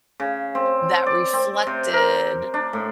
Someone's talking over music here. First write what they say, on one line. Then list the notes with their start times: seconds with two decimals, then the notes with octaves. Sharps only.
that reflected
0.20 C#3
0.55 C4
1.06 D5
1.33 C4
1.67 C3
1.93 A#4
2.54 D4
2.73 A2